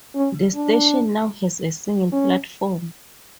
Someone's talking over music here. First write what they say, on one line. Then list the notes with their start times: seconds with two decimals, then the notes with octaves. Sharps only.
The station now has a single platform.
0.15 C#4
0.54 D4
2.12 C#4